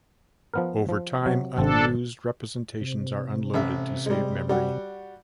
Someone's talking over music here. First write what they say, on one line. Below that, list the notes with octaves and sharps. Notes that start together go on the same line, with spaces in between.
Over time, unused representations are unloaded to save memory.
F3 B3 A#4
F3
C3 F#3
G#1 C4 D4 A4 A5
C3
A1 E5
G3 G#3
G3 F#4